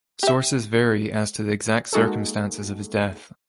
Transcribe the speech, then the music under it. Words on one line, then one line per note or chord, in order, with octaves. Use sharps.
Sources vary as to the exact circumstances of his death.
G4 E5
G#3 A#3 D#4 F#4 G#4 A4